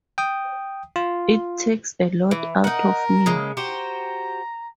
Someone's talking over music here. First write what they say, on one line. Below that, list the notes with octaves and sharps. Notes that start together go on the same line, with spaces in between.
It takes a lot out of me.
G5 D#6
F4
E3
D#4 A#4 F#5
C#3 G#3 A#3
F#4 G4 C5 A#5